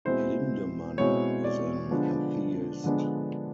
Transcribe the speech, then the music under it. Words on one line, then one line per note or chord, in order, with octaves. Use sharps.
Lindemann is an atheist.
B2 G#3 C4 E4 C5
B2 G#3 C4 E4 C#5
D5
D3 F3 G#3 B3 D4
D3 F3 G#3 B3 D4